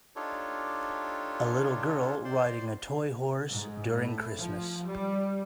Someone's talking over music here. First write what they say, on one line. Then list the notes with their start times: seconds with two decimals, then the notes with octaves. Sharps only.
A little girl riding a toy horse during Christmas.
0.16 D4 D#4 F4 G4 A4 C#5
2.25 C5 D5 C6
3.52 G#2
3.94 A2
4.37 F3
4.87 G3